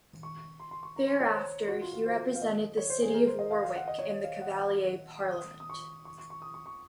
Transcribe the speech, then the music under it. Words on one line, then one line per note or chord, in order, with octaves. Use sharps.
Thereafter he represented the city of Warwick in the Cavalier Parliament.
C#6
C6
C6
C#6
A#5
C6
C#5
C5
F#4
F4
F4
C5
F5
D#5
C#5
C5
G#4
A#4
C5
D#5
F5
F5
F#5
D#5
C#5
D#5
F5
F#5
D#6
D#6
C#6
C#6
C#6
C#6
D#6
C#6
C#6